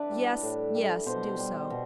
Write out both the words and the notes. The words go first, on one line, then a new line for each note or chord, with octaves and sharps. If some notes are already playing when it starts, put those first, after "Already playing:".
"Yes, yes, do so."
Already playing: E3 D4 E4 B4
G3
A2
G3
B2 C5
G3
B2